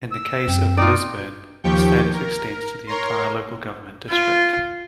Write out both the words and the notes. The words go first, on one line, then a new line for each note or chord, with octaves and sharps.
In the case of Lisburn, the status extends to the entire local government district.
E6
F#2 C4
C4 D#4 F4 D5
D#2 F3 G4 G5 C#6 G6
A#4
A#4 C#5 A#5 C6
F4